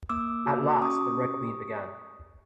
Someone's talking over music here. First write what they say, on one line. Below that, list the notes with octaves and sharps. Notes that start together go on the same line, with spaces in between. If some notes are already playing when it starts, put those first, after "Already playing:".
At last the Red Queen began.
A#3 D6 E6
F#4
D6
C#4 C#6 D#6
G4